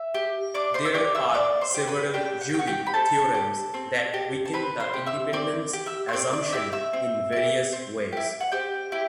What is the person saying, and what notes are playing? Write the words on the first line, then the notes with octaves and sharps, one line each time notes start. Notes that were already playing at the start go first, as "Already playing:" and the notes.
There are several jury theorems that weaken the Independence assumption in various ways.
Already playing: E5 E6
G4
D4 D5 D6
C5 C6
E6
G4 D5 D6
E5 E6
D4 D5 D6
C5 C6
G4
B4 B5
D4 G4 G5
F#5
G5
G4
F#4 F#5
G4 G5
B5
C4 A4 A5
G4
C4
G4
A5
C4 B4 B5
C5 C6
G4
E5 E6
C4 D5 D6
G4
E5 E6
C6
C4 D5 D6
D5 D6
D6
E4 G4 E5 E6
E5 E6
C4
E4 G4
C4
E4 G4
F#5
C4 G4 G5
E4 G4